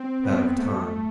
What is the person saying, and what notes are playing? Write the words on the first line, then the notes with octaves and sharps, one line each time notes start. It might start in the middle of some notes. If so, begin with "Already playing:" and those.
That of Time.
Already playing: C4
B3
A3